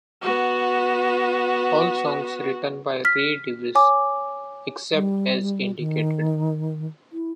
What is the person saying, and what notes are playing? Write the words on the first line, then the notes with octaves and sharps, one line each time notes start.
All songs written by Ray Davies, except as indicated.
B3 F#4
F6 B6
C#5 G#5 D6
G3
D#3
E4